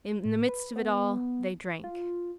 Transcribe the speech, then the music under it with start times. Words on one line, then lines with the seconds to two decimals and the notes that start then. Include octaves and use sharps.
In the midst of it all, they drank.
0.25 A2
0.49 B4
0.76 B3
1.84 F4